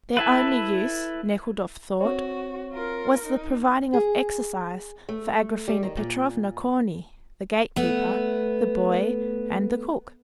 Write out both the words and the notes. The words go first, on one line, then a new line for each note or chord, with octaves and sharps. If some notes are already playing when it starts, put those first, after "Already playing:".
Their only use, Nekhludoff thought, was the providing of exercise for Agraphena Petrovna, Corney, the gate-keeper, the boy, and the cook.
E4 A4 B4
C4 F#4 C#5
F4 A#4
D#4
G#4
A3
G3
D#3
A#2
A3 B3